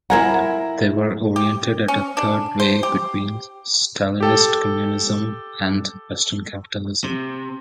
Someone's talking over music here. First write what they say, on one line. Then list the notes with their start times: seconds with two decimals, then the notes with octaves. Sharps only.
They were oriented at a Third way between Stalinist communism and western capitalism.
0.10 E4 F4 A#4 F#5 G#5 A#5
1.36 G4
1.88 C#4
2.17 D4
2.60 C5
2.83 G4
4.20 G4 A4 G5
7.04 C3